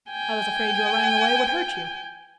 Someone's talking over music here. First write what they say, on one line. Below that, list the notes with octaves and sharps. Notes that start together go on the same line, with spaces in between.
"I was afraid your running away would hurt you."
G5 G#5